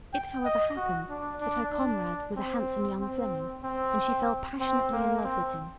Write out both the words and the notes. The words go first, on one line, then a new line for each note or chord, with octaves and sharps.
It, however, happened, that her comrade was a handsome young Fleming, and she fell passionately in love with him.
G5
D#5
F#4
D4
D4
D4
C4
C4
C4
C4
A#3
C4